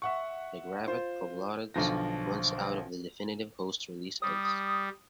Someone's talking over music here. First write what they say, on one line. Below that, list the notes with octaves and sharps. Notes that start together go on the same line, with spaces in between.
The gravid proglottids once out of the definitive host release eggs.
E5 F#5 C#6
F4 C5
B1 D3 F3 A#6
G3 D#6